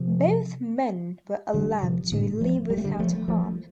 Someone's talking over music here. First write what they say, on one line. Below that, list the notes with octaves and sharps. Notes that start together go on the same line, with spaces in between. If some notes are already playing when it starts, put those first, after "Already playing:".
Both men were allowed to leave without harm.
Already playing: C3 F3
D3 G3
C3 F3
A2 D3
F3 A3
G3
A3
D3 G3
F3 A3
F3 A3